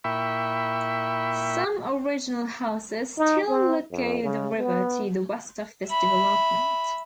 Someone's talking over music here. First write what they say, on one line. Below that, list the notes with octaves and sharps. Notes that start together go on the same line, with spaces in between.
Some original houses still look over the river to the west of this development.
A#2 E4 E5 G5 B5 C#6
D#4
C4
F2
C#3
B3
E5 B5